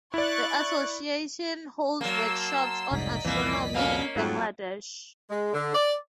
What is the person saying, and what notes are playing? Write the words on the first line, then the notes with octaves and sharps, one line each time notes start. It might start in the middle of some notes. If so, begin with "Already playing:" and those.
The Association holds workshops on astronomy in Bangladesh.
E4 D5 C#6 F#6 A6
F#3 A#3 A5 C6 E6
F1 C2 G#2 D5 D#5 B6
C2 F2 A#2 E3 A#3
D2 B2 A#3 C#4 F5
F2 G#2 F#3
G#3
D3
D5